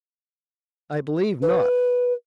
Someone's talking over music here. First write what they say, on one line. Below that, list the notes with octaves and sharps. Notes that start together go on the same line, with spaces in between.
"I believe not."
B4